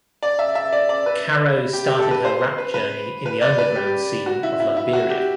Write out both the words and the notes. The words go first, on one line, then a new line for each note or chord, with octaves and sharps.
Caro started her rap journey in the underground scene of Liberia.
D5
E5
E5
D5
D5
B4
G4
G4
A4
B4
C5
C5
B4
B4
B4
D5
B4
G4
F#4
E4
E4
E4
F#4
G4